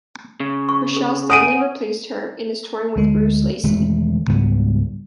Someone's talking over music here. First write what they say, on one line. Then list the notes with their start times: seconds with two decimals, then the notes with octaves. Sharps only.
Michelle Stanley replaced her, and is touring with Bruce Lacy.
0.40 C#3
0.69 C#6
0.97 A4
1.30 C#5 F#5 G#5 D#6 D7 D#7
2.96 D2 G#3
3.63 E1 D#3 G#3 A3
4.27 C#2 G#2 G3 B3